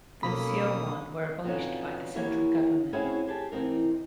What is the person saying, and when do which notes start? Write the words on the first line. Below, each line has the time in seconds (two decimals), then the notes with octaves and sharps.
The seowon were abolished by the central government.
0.23 B1 A#3 C#4 A4 B5 D#6
1.44 F2 B2 D3 B3 C#4 D#4
2.15 E2 A#3 E4 G4 C#5
2.93 C4 C#4 E4 F#4 G#4
3.27 G4 G#4 A5
3.52 E3 F3 C4 D#4 A#4